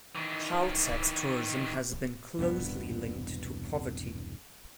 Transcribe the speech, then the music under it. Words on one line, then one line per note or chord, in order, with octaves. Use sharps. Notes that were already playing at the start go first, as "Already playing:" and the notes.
Child sex tourism has been closely linked to poverty.
D#3 E3
E1 C2 G2 B3